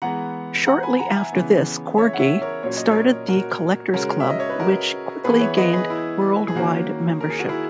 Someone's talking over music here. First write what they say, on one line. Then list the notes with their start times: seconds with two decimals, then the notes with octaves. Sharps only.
Shortly after this Corgi started the "Collectors Club", which quickly gained worldwide membership.
0.02 E3 G#3 B3 F#5 A#5
0.67 F#5 A#5
0.83 G#5 B5
0.99 F#5 A#5
1.16 E5 G#5
1.32 C#3 E3 B3
1.98 C#5 E5
2.13 F#5
2.19 C#5 E5
2.42 A#4 C#5
2.63 A#2 F#3 C#4 C#5
2.77 D#5
2.91 A#4 C#5
3.28 F#4 A#4
3.94 C#3 G#3 C#4 F#4 A#4
4.20 E5
4.30 D#5
4.40 C#5
4.49 B4
4.60 F#4 A#4
5.24 E3 B3 G#4 B4
5.40 C#5 E5
5.57 B4 D#5
5.73 G#4 B4
5.90 E4
6.48 G#4
6.55 D#3 A#3 C#4 F#4
7.21 A#4
7.30 G#4
7.39 F#4
7.49 E4 G#4